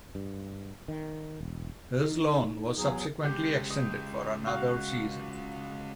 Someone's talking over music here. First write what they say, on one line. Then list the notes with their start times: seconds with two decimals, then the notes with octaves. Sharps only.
His loan was subsequently extended for another season.
0.15 G2
0.88 D#3
1.41 E1
2.01 D#4
2.78 E2 F#3 G#4
3.24 C#3 G#3 G4 G5
3.70 D#5
4.47 F#4 F5